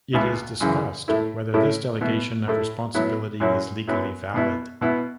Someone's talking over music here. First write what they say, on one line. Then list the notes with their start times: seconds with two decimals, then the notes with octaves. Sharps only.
It is discussed whether this delegation of responsibility is legally valid.
0.13 C#2 B2 B3 E4
0.60 F#2 C#3 E3
1.08 A2 A3 E4
1.54 A2 A3 C#4 E4
2.01 B2 B3 E4
2.48 A2 A3 E4
2.94 A2 F#3 B3 E4
3.40 F#2 F#3 C#4 E4
3.87 F#2 F#3 B3 E4
4.34 B2 B3 E4
4.81 B2 B3 E4